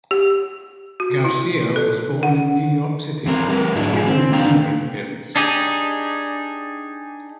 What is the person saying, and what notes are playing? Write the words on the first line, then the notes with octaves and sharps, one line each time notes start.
Garcia was born in New York City, to Cuban immigrant parents.
G4
F#4
E4
A4
F#5
E2 C4 A#4
G3 A#4 B4
G#2 F#3 G#3 D4 E4
G#2 B2 E4 G#4
C4
A#3 D4 F5 G5 A#5
D4 D#4 G4 G#4